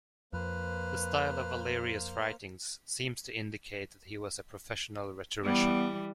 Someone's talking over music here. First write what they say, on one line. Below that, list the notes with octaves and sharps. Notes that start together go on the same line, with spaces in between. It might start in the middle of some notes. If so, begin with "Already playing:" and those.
The style of Valerius's writings seems to indicate that he was a professional rhetorician.
F2 A#3 B4 C5 F6
E3 G3 B3